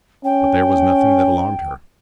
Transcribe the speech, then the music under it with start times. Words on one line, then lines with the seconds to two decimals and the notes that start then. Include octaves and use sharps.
But there was nothing that alarmed her.
0.24 C#4 G5